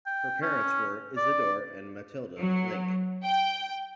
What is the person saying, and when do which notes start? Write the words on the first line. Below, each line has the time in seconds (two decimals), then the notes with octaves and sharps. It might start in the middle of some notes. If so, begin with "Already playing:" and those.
Her parents were Isidor and Mathilde Link.
0.07 G5
0.42 C#4
1.17 D5
2.40 F#3
3.24 G5